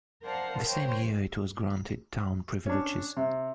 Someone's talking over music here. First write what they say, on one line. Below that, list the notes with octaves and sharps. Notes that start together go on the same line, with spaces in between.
The same year it was granted town privileges.
A#4 C5 D5 F5 F#5 A5
A#4 C5 C#5 G5
C#4 D4
C3